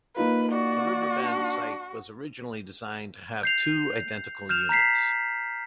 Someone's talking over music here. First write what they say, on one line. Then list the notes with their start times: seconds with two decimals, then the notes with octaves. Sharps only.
The River Bend site was originally designed to have two identical units.
0.16 A#3 D#4 F4 B4
0.52 F#4 D5
1.23 D4
3.43 G6 C7 F7
4.49 F6 G6 E7 F7
4.69 A#5 G6 B6 C7